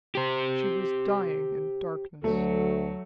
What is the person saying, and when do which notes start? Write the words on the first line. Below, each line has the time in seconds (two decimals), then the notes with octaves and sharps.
She was dying in darkness.
0.15 G4 C5
2.24 D2 F#3 A3 A4